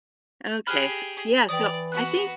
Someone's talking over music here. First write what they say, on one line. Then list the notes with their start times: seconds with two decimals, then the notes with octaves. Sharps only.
Okay, s so, yeah, so I think
0.67 G4 G#4 B5 F6 F#6
1.49 E3 D5 G5 D#6
1.92 B3 F#4 F#6